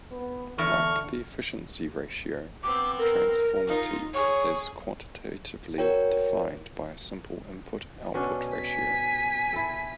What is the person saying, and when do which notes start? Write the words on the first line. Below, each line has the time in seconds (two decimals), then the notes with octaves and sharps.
Like the efficiency ratio, transformity is quantitatively defined by a simple input-output ratio.
0.11 B3
0.58 E2 D3 A4 C#6 F6
2.63 B3 C4 D6
2.99 A#4
3.67 D#4 F4
4.14 G#4 C#5
5.78 F#4 A#4 C#5 G5
8.14 B2 C#4 D4
8.53 G#5 B6
9.53 E4 A4